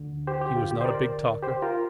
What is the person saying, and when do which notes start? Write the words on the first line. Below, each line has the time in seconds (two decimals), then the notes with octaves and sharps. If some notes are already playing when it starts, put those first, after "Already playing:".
He was not a big talker.
Already playing: D2 D3
0.27 G4 C5
0.41 G4
0.56 F4
0.71 G4
0.81 C5
0.85 A#4 D5
1.43 G4 C5
1.62 F4 A#4